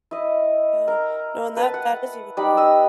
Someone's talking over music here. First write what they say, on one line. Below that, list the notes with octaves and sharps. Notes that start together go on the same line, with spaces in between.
Yeah. No, and that that is even harder.
E4 D#5
A#4
B4 A5
F#5
G3 D#4 D5 B5
D#5 E6